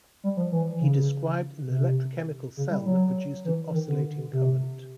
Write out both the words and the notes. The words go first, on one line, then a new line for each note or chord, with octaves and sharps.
He described an electrochemical cell that produced an oscillating current.
G3
F3
E3
C#3
C3
C#3
G3
F#3
E3
D#3
D3
C3